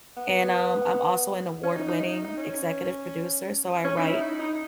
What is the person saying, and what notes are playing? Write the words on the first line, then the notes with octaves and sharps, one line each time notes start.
And, um, I'm also an award-winning executive producer, so I write
B3
C#4
D#4
D#4
D#4
D#4
D#4
C#4
C#4
D#4
E4
D#4
D#4